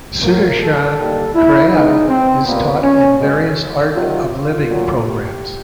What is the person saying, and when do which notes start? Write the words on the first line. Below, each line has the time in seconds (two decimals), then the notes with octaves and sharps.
Sudarshan Kriya is taught in various Art of Living programs.
0.23 A2 F#3 A#3 A#4
0.60 A4
0.97 D#3 G3 A#3
1.35 E4
1.72 C#3 E3 G#3 B3 D#4
2.08 C4
2.45 A#2 G3 A#3 B3
2.83 C#4
3.20 B2 G#3 B3
3.93 C3 D#3 F#3 F4
4.31 F4
4.68 A#2 F#3 A3
5.05 G4